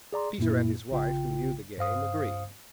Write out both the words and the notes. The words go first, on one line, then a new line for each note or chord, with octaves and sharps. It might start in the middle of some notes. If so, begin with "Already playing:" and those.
Peter and his wife, who knew the game, agreed.
G#4 D5 A#5 C6
F#2 A#2 A#3 E4
A#1 C#3 F4 G5
G2 C5 F5 D#6